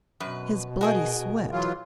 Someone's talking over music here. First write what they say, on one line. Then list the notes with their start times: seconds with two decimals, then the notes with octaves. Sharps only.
His bloody sweat.
0.20 F#2 B2 B4
0.81 F#4 G#4 A#4 C#5 D#5
1.52 E3 F#3 F4